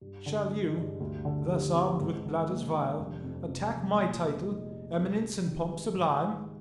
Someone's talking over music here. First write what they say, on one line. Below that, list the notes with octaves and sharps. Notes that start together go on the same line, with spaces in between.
Shall you, thus armed with bladders vile, attack my title, eminence, and pomp sublime?
G2
D3
G#3
G2
D2
D3
G3
C4
G#2
D#3
A#3
D4
F1
F2
C3
F1
A#2
G#3
D#4
G#4
C2
C3
D#3
G#3
G#2
D#3